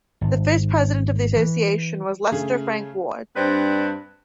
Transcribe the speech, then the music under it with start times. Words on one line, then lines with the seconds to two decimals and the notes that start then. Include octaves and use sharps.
The first president of the association was Lester Frank Ward.
0.21 G#1
1.36 E3
2.32 C#3 A3 G#4
3.36 G2 C4 D4 B4 C5